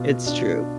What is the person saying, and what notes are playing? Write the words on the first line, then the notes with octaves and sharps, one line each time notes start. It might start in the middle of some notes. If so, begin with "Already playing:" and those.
It's true.
Already playing: B2 F4
D4